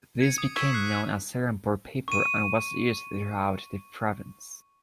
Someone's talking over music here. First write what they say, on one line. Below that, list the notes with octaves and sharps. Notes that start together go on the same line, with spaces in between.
This became known as Serampore Paper and was used throughout the province.
G#6 C#7 D#7
D#6
C#6 E6 G#6 B6 E7
F#6 C7
C#6 D#7